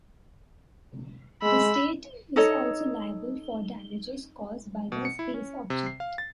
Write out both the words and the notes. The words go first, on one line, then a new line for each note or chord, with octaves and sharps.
The State is also liable for damages caused by their space object.
G#3 B5 E6
D#4 A4 C#5 D#5
B2
C#7
E4
C#4
C3
C7
F5
A6